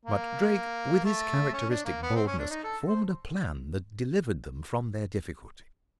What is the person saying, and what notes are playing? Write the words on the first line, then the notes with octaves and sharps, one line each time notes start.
But Drake, with his characteristic boldness, formed a plan that delivered them from their difficulty.
A#3
A3
C#4
D4
A#3
B3
C4
C#4
D4
D#4
A4
C5